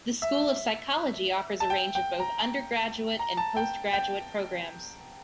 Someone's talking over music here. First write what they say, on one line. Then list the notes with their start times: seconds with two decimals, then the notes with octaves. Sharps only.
The School of Psychology offers a range of both undergraduate and postgraduate programmes.
0.22 E5
1.60 A5
1.70 G5
1.95 G5
2.20 A#5
3.19 A#5
3.37 A5
3.57 G5
3.93 G5